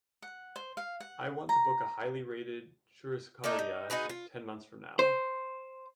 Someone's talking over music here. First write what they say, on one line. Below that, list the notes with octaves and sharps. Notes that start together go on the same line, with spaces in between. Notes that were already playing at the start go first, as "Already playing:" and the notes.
I want to book a highly rated churrascaria ten months from now.
F#5
C5
F5
F#5
A#5
A3 A#3 D4 D#4
D#4
D#4 F#4 G#4 B4
F4
C5